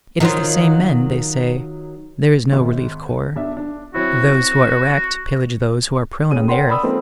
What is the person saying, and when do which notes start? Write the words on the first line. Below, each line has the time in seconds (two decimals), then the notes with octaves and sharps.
It is the same men, they say; there is no relief corps; those who are erect pillage those who are prone on the earth.
0.20 D#3 F#3 F4
2.53 G#1
3.36 B1 D4 E5
3.57 D4
3.94 F#3 C4 E4 F#4
6.31 A2 C#4 G#4 D#7
6.48 A#4 C#5 F#5 G5 C6
6.68 D5 B5 D#6 E6
6.83 F3 G#3 A#3 C4 D#4 A4